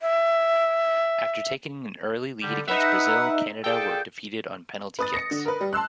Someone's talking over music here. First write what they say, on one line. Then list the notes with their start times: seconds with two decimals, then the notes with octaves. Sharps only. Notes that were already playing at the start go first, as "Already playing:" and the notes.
After taking an early lead against Brazil, Canada were defeated on penalty kicks.
0.02 E5
2.43 D3 G3
2.68 D#4 B4 E5 F#5
3.64 A#2 G#4 A4 G5
4.99 B4 D#6 A6
5.14 A#6 C#7
5.31 D3
5.45 A#4 B4
5.61 G3
5.73 A5 C6 E6 F#6